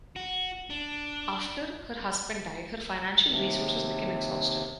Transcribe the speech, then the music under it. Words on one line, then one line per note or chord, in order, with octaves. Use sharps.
After her husband died her financial resources became exhausted.
F#4
D4
D#2 C3